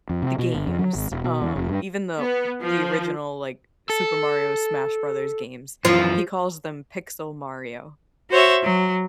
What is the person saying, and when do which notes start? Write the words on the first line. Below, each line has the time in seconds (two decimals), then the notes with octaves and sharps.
the games, um, even though the original, like, Super Mario Smash Brothers games, he calls them Pixel Mario.
0.09 F2
0.22 C3
0.39 B2
0.54 G1
0.67 F2
0.79 F#3
0.95 G#1
1.11 E1
1.24 B2
1.42 E2
1.56 F1
1.69 G2
2.19 B3
2.62 F3
3.90 A4
5.85 F#2 E3 F3
8.30 F#4 C5 C#5 E5
8.63 F#3